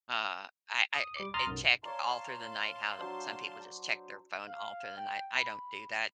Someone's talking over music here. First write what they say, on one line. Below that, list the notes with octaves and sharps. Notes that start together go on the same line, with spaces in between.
uh, I I, eh, and check all through the night, how some people just check their phone all through the night, I don't do that,
D#6
G3 D6
A#5 C6 D#6 F6 A6
B1 F#2
C#5 D5 F5 A5 A#5 C6
F#3 D4 C5
F5
G5
B5